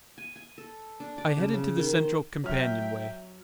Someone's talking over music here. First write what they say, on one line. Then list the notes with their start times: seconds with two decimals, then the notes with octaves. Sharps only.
I headed to the central companionway.
0.18 G#5
0.36 G#5
0.58 A4
1.00 D4
1.18 D5
1.37 C#3
1.54 C#3
1.78 D#3
1.98 C5
2.44 F#3 E5 G5 F6